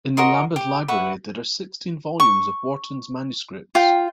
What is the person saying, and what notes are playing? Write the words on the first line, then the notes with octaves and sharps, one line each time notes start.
In the Lambeth Library there are sixteen volumes of Wharton's manuscripts.
F#4 A#4 D#5 C6
G4
B4 E5 F#5 C#6
C#6
F4 G5